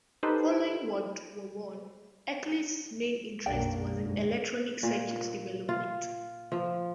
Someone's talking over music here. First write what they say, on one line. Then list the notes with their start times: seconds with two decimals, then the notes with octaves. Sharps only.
Following World War One Eccles' main interest was in electronic circuit development.
0.23 D#4 G4 A4 B4 C5
3.46 B1 F#2 A#3 D4 D5 G5
3.96 G#2 D3
4.83 A#2
5.69 F4
6.52 F3